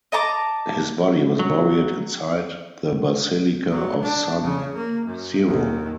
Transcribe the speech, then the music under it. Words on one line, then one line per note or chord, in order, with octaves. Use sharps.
His body was buried inside the Basilica of San Siro.
D#5 A5 A#5 D6
F#3
F#3
D4
C#3
A#3
F#2
D#2